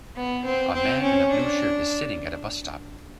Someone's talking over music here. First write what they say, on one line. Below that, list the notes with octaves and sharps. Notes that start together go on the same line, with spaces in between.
A man in a blue shirt is sitting at a bus stop.
B3
C4
C4
C#4
D4